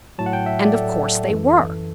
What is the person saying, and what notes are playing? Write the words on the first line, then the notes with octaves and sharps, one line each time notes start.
And of course they were.
A2 F#3 A5
F#5
G5
E5
D5
A4
F#2 E3